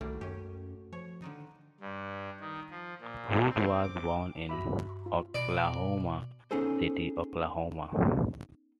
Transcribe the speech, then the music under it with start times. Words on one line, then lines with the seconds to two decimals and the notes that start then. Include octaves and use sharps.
Woods was born in Oklahoma City, Oklahoma.
0.01 C2 D#3 G3 A3 A#3 F#4
0.21 F#2 C#4 G4
0.93 F3 C#5
1.22 D3 D#3 D#4
1.80 G2
2.40 D#3
2.70 F3
3.01 A#2
3.48 C4
3.83 D6
4.49 G2 F#4 E5 B5 D6
5.06 F4
5.35 B2 D5
6.51 B3 C#4 D#4 G#4 A4 C5